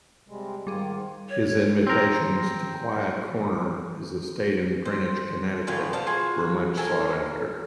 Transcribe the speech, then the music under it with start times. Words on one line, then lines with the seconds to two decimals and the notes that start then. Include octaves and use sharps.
His invitations to "Quiet Corner," his estate in Greenwich, Connecticut, were much sought-after.
0.28 C3 G3 G#3
0.67 G#2 D#3 G3 F4 G#4
1.30 C#5
1.87 C4 A#4
4.85 C5
5.67 A2 D3 E3 F4
5.93 A4 C5 F5
6.07 F4 F#4 G#4
6.77 A4 A#4 G#5